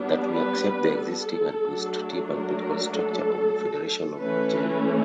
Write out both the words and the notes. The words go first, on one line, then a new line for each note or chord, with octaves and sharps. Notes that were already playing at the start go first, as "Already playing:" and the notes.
That we accept the existing administrative and political structure of the Federation of Nigeria.
Already playing: G3 B3 D4
B4
A4
F#3 A3 D4
A#4
A4
E3 A3 C#4 B4